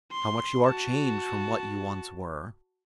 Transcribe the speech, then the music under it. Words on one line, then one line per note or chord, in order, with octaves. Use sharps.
How much you are changed from what you once were!
C6
F#4 A5